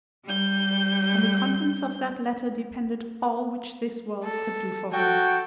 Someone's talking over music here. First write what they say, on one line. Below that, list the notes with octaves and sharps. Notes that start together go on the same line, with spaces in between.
On the contents of that letter depended all which this world could do for her.
G3 G6
A4
F#4 A4 G5